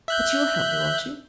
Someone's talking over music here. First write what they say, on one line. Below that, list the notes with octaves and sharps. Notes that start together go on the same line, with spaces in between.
But you'll help me, won't you?
E5 F#6 G6